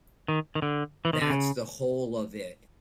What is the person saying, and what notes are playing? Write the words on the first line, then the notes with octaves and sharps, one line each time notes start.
That's the whole of it.
D#3
D#3
D3
E3
D#3
D3
C#3